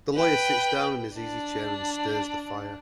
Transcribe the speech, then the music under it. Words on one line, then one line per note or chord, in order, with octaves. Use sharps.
The lawyer sits down in his easy-chair and stirs the fire.
B4 G5
D4